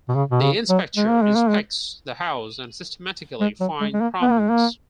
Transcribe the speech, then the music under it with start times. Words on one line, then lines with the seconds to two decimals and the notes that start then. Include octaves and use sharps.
The inspector inspects the house and systematically find problems.
0.09 B2
0.15 C#3
0.32 B2
0.42 C#3
0.69 F#3
0.96 G#3
1.09 A#3
1.22 G#3
1.36 A#3
1.49 G#3
3.41 G#3
3.61 F#3
3.81 G#3
3.94 G#3
4.01 A#3
4.22 B3
4.31 A#3
4.40 G#3
4.50 A#3